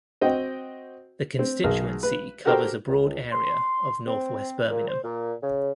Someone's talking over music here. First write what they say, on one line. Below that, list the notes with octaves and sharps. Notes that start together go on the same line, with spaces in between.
The constituency covers a broad area of north-west Birmingham.
C4 F#4 D#5 G5
C4
B1 G#4 A#4
B4
F#4 G4 A4 A#4 C5 G5
C#2
C6
C4
A#2
C5
A#2
C#3